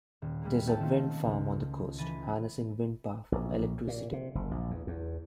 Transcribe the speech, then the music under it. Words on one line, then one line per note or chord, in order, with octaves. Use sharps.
There is a wind farm on the coast, harnessing wind power for electricity.
D#1
G3 G#3 A#3
C#4 E4 F#5 G5 A5
D#3 A3 C4 F4 F#4
C#2
E3 G#5 B5 A6 A#6 D#7
A#1
A#2
C3
F#1
A#1
E2
E2